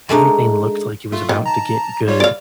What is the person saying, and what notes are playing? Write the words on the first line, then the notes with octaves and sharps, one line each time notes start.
everything looked like it was about to get good,
G#3 A3 D4 D#4
A3 F4
D#3
A5 A#5
G3 F4 C#5
D5 F5